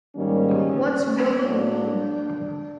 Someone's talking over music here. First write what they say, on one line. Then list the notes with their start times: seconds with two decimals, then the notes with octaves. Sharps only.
What’s bugging you?
0.15 G#2 D#3 G3 A#3 C#4
1.40 A2 F#3 A#3 D4